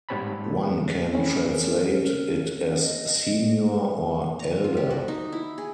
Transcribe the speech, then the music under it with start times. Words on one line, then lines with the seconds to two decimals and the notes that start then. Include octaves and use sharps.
One can translate it as "senior" or "elder".
0.09 G#2 G3 C4 C#5 A5 B5
1.13 C4 C#4 E4
1.47 A#4
2.81 D#5
4.39 A#5
4.64 F4
4.77 G4
4.91 F#4
5.08 D#4
5.32 E4
5.58 G#4